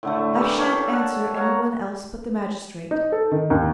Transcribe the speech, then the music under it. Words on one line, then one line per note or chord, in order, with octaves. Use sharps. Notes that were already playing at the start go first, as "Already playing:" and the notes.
I shan't answer any one else but the magistrate.
A2 D3 A3
E3 A#3 G4 A4
A4 C#5 D5 F5
F#5 A5
C#5 F5 F#5 A#5
D#4
A4
D#3
D#2